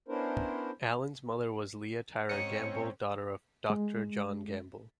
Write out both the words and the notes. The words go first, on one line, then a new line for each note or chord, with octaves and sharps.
Allan's mother was Leah Tyrer Gamble, daughter of Doctor John Gamble.
B3 C#4 D4 E4 A#4 C5
G#2 C4 C#4 C#5 D#6 C#7
G#3